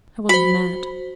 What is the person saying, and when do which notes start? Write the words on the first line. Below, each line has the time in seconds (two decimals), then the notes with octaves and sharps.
"I wasn't mad."
0.29 F#4 C5 B5